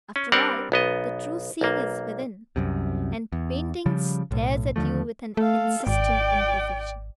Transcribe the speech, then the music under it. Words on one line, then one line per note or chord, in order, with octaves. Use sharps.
After all, the true seeing is within; and painting stares at you with an insistent imperfection.
C#4
G3 C4 D4 A#4 F#5
B1 B3 D#5
B1 A#3
C2 F#2 C3
E2
C#3 F3 G3
B1 A2
D#2 D3 F3 A3
A3 A4 F5
G#1 D5 G5